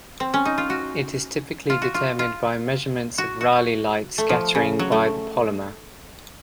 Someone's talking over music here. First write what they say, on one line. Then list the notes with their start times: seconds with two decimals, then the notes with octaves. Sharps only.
It is typically determined by measurements of Rayleigh light scattering by the polymer.
0.20 C4
0.34 C#4
0.45 D#4
0.58 F4
0.70 F#4
1.70 F4
1.82 F#4
1.94 F4
2.19 F4
3.18 F#4
3.41 F#4
4.18 A3
4.29 F3
4.55 C#3
4.79 F#3
4.92 A3